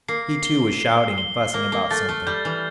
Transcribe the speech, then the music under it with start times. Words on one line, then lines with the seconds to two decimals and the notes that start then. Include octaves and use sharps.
He, too, was shouting and fussing about something.
0.08 A#3 C7
0.45 G7
0.81 C7
1.18 G7
1.54 A#3 F6
1.72 A#3
1.91 A3 A6
2.09 A3
2.27 G3 G6
2.45 E3